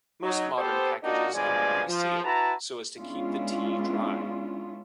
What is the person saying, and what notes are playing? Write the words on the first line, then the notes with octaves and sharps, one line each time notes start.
Most modern packages can be resealed so as to keep the tea dry.
F#3 D#4
B3 G4 A4 C5
A#3 D4 D#4 F4 F#4 D#5
G2 B2 F3 G#3 D5 G#5
F3
E4 F#4 B4 A5 A#5
G#3 B3 C#4 D4 E4 F4